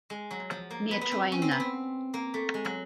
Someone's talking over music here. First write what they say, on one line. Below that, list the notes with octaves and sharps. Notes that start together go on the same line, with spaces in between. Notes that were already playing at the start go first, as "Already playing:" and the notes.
Near Troina.
G#3
F#3
F3
A#3
B3
B3
C4
C#4
C4
B3
C4
A#3
A3
G#3
F#3